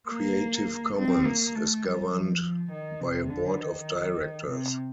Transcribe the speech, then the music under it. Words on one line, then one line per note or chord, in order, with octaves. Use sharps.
Creative Commons is governed by a board of directors.
A#3
C4
A#3
A3
G3
F3
D#3
C3
D3
D#3
C3